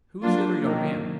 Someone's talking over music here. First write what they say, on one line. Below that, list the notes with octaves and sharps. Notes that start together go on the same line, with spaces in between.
"Who is the other young man?"
F#3 A#3 D4 F4
D#3 F#3 A#3